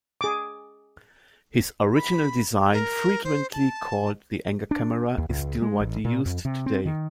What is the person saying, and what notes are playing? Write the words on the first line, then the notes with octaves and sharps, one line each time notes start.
His original design, frequently called the Anger camera, is still widely used today.
G#4 D6
B5
A#4
C5
A5
D4
D#2
C#2
G#3
A1
A#2
F2
C3
C4
D#3